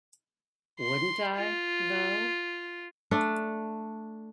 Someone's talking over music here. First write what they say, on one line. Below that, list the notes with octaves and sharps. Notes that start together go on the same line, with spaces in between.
Wouldn't I, though?
C6
F4
A3 D4